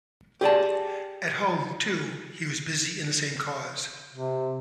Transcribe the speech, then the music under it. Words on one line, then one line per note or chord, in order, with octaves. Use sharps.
At home, too, he was busy in the same cause.
G4 G#4 D5 A5
C3